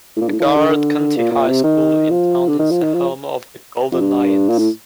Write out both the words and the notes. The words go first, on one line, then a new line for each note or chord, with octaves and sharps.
The Garrard County High School in town is the home of the "Golden Lions".
A2
A#2
G2
A2
F3
D#3
D3
D3
A#2
A#2
C3
D#3
F3
D3
D#3
F3
D#3
F3
F2
G2
A#2
A2